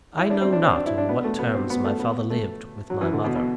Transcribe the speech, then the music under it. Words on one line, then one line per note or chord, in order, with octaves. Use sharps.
I know not on what terms my father lived with my mother.
E4
D4
C4
D4
C4
D4
E4
D4
B3
A3
B3
C4
B3
A3
B3
A3
F#3
E3
D3
B2
B2